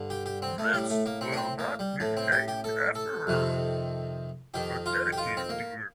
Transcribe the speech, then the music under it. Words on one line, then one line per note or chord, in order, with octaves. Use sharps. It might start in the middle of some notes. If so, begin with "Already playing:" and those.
This will not be named after her, but dedicated to her.
Already playing: G2 D3
G4
G4
C4
A3
A2 G3
A3
A#3
C4
D4
C4
A#3
G3
A2 A3
C4
G4
G4
A4
A4
F2 C3 D#3
F2 D#3 G4
F4
G4
F4
C4
A#3